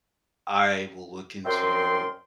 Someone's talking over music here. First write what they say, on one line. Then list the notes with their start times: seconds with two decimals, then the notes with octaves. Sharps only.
I will look into
1.45 F#2 C4 A#4 D5 G5 C6